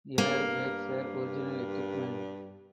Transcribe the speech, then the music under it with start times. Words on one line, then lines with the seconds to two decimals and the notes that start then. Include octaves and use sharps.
Air brakes were original equipment.
0.18 G2 A#3